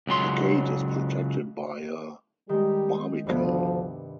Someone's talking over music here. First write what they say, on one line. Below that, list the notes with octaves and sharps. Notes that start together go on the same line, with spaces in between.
The gate is protected by a barbican.
C#2 C#3 F#3 C6
D#3 G3 G#3 G4
D2 G2 C3 F3 B3